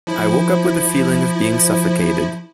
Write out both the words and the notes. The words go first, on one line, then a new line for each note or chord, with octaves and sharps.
I woke up with a feeling of being suffocated.
F3 E4